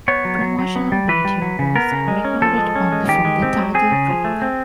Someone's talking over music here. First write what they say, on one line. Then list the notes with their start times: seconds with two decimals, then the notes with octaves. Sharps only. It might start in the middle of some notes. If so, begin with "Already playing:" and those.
Promotional video was recorded only for the title track.
0.08 B3 C#5
0.25 F#3
0.41 F#3
0.59 F#3
0.76 B3
0.92 G3
1.09 E3 B4
1.25 G3
1.42 F#3
1.59 C#3
1.76 B3 A#4
1.92 C#3
2.08 G#3
2.25 C#4
2.42 F3 A4
2.58 G#3
2.75 C#4
2.92 G#3
3.08 D#3 G4
3.25 G#3
3.42 C4
3.59 F#3
3.74 C4 G#4
3.92 C#3
4.08 F3
4.24 A3
4.42 C4